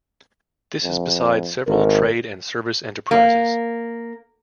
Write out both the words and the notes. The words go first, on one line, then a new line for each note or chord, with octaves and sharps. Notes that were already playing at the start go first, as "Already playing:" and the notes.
This is beside several trade and service enterprises.
F2
G#1 A#4
A#3